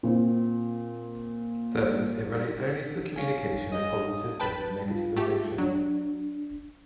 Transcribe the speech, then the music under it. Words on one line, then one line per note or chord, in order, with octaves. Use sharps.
Third, it relates only to the communication of positive versus negative emotions.
A#2 C4
C#5 F5 G#5
G#2 D#5
B4 G5 A5
F4
A3 G4
F#3 D4